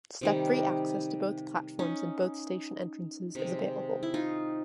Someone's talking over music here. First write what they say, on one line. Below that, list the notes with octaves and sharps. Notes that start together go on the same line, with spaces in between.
Step free access to both platforms and both station entrances is available.
C3 D#3 G3
C#4 D#4
C3 D#3 G#3
E4
D#4 F4